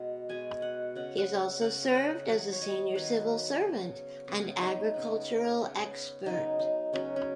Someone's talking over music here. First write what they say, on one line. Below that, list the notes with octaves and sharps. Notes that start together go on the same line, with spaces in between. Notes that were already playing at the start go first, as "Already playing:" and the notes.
He has also served as a senior civil servant and agricultural expert.
Already playing: B2 G#3 B3 F#5
B2 G#3 B3 G#5
F#5
C#3 B3 F#5
F#5
C#3 B3 F#5
F#5
D#3 F#3 B3 F#5
C#5
D#5
D#3 F#3 B3 B4
C#3 B3
C#3 B3
D#4
C#3 B3
C#3 B3
C#3 F#3 B3 D#4
D#4
C#3 F#3 B3 C#4
C#4